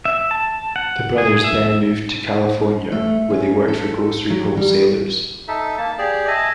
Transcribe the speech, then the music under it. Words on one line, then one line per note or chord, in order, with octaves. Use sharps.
The brothers then moved to California where they worked for grocery wholesalers.
E5
A5
F#5
G#4
E5
A3
C#4
A4
F#3
G3
D#4 A4 E5
A#3 A5
G4 G#4 D5
D#5 E5 G#5 A5